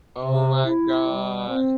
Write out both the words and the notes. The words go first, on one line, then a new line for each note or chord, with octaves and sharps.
Oh my god.
C3
E4
G3
C4